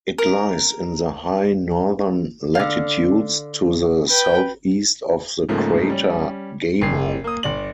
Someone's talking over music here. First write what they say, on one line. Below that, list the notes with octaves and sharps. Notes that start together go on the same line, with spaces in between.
It lies in the high northern latitudes, to the southeast of the crater Gamow.
A#4
D3 F5
B4 G5
G#2 C#3 F3 A3 A#3
G3 C#4
F#1 C7
A#3 D#6
G1 D5 F#7